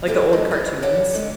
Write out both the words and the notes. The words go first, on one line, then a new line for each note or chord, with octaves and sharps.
Like, the old cartoons.
E4 G4 A4 E5
G#3 C4 D4 D#5
E4 G#4
G4 C#5 D5 E5 F#5 A5
D3 G#3